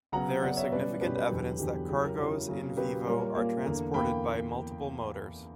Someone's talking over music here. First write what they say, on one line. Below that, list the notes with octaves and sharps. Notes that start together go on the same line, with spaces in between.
There is significant evidence that cargoes in-vivo are transported by multiple motors.
C#3 F#3 B3 F#5 A#5
C#3 F#3 B3 D5 F#5
C#5 E5
B2 G3 C#4 B4 D5
B2 G3 C#4 G4 B4
G4 B4
E2 D3 F#3
E2 D3 F#3 G4
C#3 F#3 C#4 E4 G4
A#4
C#3 F#3 C#4 E4 A#4
C#3 F#3 A#3
C#3 F#3 A#3 G4 B4
A#2 G3 A#3 A#4 C#5
A#2 G3 A#3
E2 D3 A#3 A#4
E2 D3 A#3 G5 B5